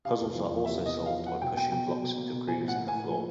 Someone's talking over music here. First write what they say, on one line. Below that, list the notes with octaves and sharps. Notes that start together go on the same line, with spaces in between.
Puzzles are also solved by pushing blocks into grooves in the floor.
C3 F5
E2
F3
E2
C3 E5
E2 D#5
F3
F5
E2
F#3 F#5
B2 G5
A#3 G5
B2 G5
F#3
B2
A#3
B2
F3 G#5
A2
F#5
A#3
G#5
A2
F3